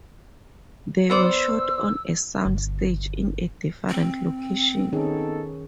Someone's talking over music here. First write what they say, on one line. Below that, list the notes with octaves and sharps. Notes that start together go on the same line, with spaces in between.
They were shot on a sound stage in a different location.
B3 C5 D5 E6
G1
C4
D#3 B3 C#4 D#4 G#4 A4